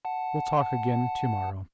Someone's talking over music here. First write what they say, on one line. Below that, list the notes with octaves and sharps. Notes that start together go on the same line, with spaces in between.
"We'll talk again to-morrow."
F#5 A5